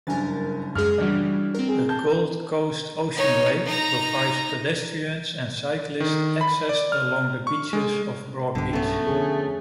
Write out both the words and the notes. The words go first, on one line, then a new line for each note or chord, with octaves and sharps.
The Gold Coast Oceanway provides pedestrians and cyclists access along the beaches of Broadbeach.
F#1 G2 A#4 G#5 A6
F#2 G#3 G#4 F6
C#3 E3 G3 D4 F#4
C4 A#4
G#4
A5 G6
D#4 C#5
D#4 A#5
D#3
B5
D5
F6
C#6
G#3
B1 G2 B2 D3 G4
F#3 A3 B3 C#4
F2 D3 C#4 G#4